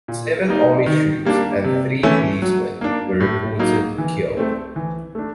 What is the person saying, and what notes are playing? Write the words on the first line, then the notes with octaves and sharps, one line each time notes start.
Seven army troops and three policemen were reported killed.
A#2
G3 A#3 D#4
D#3
G3 A#3 D4
C3
E3 A3 C#4 E4
F#3
A#3 D4
A2
F#3 A#3 D#4
E3
A3 C4
E3
A3 D4